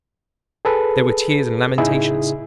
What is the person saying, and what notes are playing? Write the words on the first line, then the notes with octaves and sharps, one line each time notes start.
There were tears and lamentations.
G#4 A4 B4
A2 C#3 D#4 E4 G#4